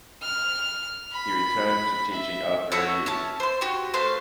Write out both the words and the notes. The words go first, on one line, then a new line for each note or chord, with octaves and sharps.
He returned to teaching after a year.
F6
B5
E5
E4 F#4 A4 C#5
C#4 E5 A5
C5 C6
F#4 G4
A3 C5 F5 F#6